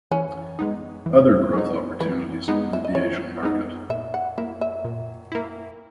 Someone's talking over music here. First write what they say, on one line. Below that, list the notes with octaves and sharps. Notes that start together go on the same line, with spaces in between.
Other growth opportunities include the Asian market.
E3 C#4
G#3 B3 D#4
E3
G#3 B3 D#4
E3 B4
G#3 B3 D#4
E5
D#5
E3 C#5
G#3 B3 D#4
A#2 E5
F#5
A#3 E4 E5
E5
A#2
A#3 E4